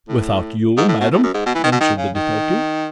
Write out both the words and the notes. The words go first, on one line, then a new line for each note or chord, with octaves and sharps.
"Without you, madam?" answered the detective.
A2
G#2
A2
B2
A2
F#2
G#2
B2
E3
D#3
B2
D#3
C#3
D#3